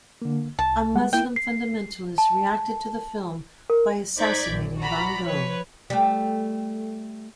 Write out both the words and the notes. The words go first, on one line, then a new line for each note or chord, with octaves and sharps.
A Muslim fundamentalist reacted to the film by assassinating Van Gogh.
D3 A#3
C2 A5
G3 G#3 F#5
A#3 E4 G5
C7
A5
A#4
D#4 C5 D5 G6 G#6 B6
A#1 F#2
F#4 D5 A#5 B5
F3 B4 C#5
G3 A3